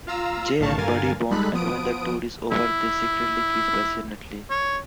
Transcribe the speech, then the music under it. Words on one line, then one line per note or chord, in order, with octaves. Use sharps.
Jay and Buddy bond, and when the tour is over they secretly kiss passionately.
F4 F5 A#5 E6
B1 A2 D#3 F5 A5 C#6
G2 D3 A#4 F5 G#5 A6
G3 G#3 D#4 A4 B5 F#6
F3 B3 D#6 D7
E4
C#5